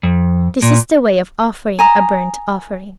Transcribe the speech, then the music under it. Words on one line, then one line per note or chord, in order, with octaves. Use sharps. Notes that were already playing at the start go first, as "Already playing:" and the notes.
This is the way of offering a burnt-offering.
F2
A#2
G#5 A#5 D#6